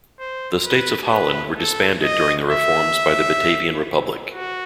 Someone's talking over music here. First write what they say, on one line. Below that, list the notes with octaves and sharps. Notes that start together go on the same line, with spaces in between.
The States of Holland were disbanded during the reforms by the Batavian Republic.
C5
B4
B4
A4
D#5
E5
F#4